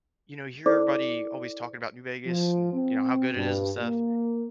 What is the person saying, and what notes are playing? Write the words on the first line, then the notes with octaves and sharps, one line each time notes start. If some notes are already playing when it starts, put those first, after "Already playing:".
you know, you hear everybody always talking about New Vegas and, you know, how good it is and stuff.
E4 A4 C5 D5 D6
F3
C4
G2
A#3